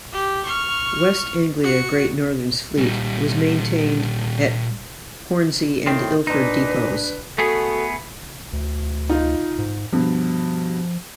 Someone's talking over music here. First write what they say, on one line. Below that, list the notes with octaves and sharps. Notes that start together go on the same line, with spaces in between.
West Anglia Great Northern's fleet was maintained at Hornsey and Ilford depots.
G4
C#6 F6
F#4 C#7
A#2 G3
A2 D#3 C4
A#2 D4 D#4 B4
A3 B3 F#4 G#4 A4
D2
D#4 F4
G#2
G2 B2 F3